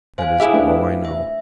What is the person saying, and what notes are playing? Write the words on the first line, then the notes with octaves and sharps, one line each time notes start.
That is all I know.
C5 F5 G#5
E4 G4 G#4 E5
A3 D4 B4
E5